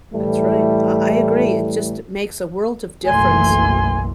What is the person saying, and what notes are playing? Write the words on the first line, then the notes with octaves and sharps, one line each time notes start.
That's right. I I agree. It just makes a world of difference,
A2 E3 G3 A3
F#1 B1 E3 A3 G#5 C6